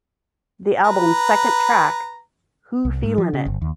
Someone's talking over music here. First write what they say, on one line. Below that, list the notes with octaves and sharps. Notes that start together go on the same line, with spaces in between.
The albums second track, Who Feelin' It?
B4 A#5
C2
G#2
F3
C#3
G1
D#2